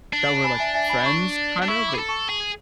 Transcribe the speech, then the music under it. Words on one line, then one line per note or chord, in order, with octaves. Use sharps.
that we're, like, friends, kind of, but
D4
G#5 B5
E5 G#5
E5 G#5
G#5 B5
B5
A5 C#6
D4
E4 C#6 E6
C#6
B5 D6
G#4
A4
A5 C#6
G#4